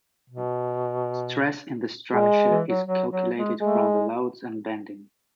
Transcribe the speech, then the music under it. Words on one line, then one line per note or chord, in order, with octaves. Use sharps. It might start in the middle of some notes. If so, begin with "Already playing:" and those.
Stress in the structure is calculated from the loads and bending.
B2
A#2 G#3
E3
F#3
F#3
F#3
G#3
G#3 A3